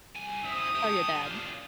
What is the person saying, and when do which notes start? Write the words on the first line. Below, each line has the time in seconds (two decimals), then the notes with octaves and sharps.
Tell your dad.
0.16 C2 G#5
0.45 C4 E4 D#6
0.75 G4 A4
1.26 D4 F4